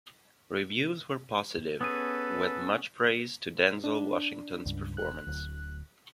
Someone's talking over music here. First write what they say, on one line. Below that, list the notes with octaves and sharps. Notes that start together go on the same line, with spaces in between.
Reviews were positive, with much praise to Denzel Washington's performance.
B3 C#4 G#4 A4 B4 D#6 D#7
D4
C#2 G2
E1 F#6
D1 D2